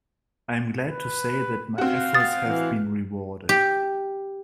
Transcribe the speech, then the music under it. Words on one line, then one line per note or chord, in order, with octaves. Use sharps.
I am glad to say that my efforts have been rewarded.
B4
C4 F#4 F5
D#6 A6
E3
G4